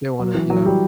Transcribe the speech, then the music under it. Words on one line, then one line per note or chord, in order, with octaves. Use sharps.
they wanna yeah.
F#3
E3
F#3
G3